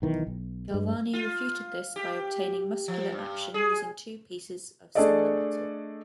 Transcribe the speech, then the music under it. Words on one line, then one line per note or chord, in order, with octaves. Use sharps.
Galvani refuted this by obtaining muscular action using two pieces of similar metal.
B1 D#3 E3
B1
G2 G#3
F4
G4
F3
G2
G#4
A3 D4 G#4 A4 D5 D#5